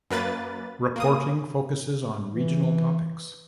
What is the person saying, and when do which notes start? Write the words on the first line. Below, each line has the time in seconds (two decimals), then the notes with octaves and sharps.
Reporting focuses on regional topics.
0.11 F#2 A#3 B4 A6
0.96 A#3 D#6
2.34 E3